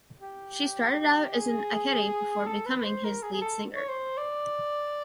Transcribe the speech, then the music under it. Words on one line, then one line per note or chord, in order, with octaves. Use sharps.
She started out as an Ikette before becoming his lead singer.
G4
G#4
A4
B4
C5
A#4
G#4
G#4
A4
C#5
C5
D5